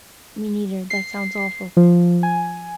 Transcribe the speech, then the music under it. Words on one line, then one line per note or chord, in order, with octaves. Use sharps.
Me neither, that sounds awful.
C7
F3
G#5